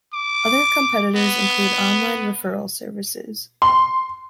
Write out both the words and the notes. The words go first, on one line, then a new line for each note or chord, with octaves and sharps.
Other competitors include online referral services.
D6
B3
C6